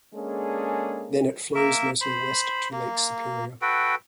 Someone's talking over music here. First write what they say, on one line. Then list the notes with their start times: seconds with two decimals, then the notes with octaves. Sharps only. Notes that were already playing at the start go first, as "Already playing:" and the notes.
Then it flows mostly west to Lake Superior.
0.14 G#3 A#3 C#4 D4 G#4 A4
1.55 A#3 A#4 E5
2.01 C5 B5
2.72 A#3
3.62 F#4 A4 B4 G5